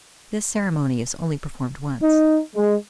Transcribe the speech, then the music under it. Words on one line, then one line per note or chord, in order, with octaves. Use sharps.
This ceremony is only performed once.
D#4
G#3